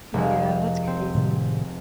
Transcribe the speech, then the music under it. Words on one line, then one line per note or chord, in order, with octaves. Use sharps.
Yeah, that's crazy.
F1 G#3
C4
A2 C3 D#3